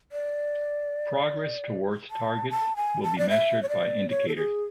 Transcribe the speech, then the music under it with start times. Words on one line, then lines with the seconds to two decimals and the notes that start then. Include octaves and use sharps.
Progress towards targets will be measured by indicators.
0.12 D5
2.11 A5
2.50 A5
2.76 G#5
3.03 A5
3.18 D5
3.30 E5
3.63 C#5
3.69 D5
4.10 C#5
4.28 A4
4.36 G#4